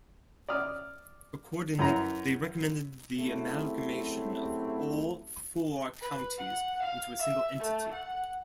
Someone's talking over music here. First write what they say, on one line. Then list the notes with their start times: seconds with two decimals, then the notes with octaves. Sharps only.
Accordingly, they recommended the amalgamation of all four counties into a single entity.
0.48 D5 D#6 F6
1.79 F#2 E3 A#5
3.17 C#3 F#3 A3 C4 E4 G4
6.01 B4
6.37 F#5
6.82 F5
7.19 E5
7.60 A3
7.93 F#5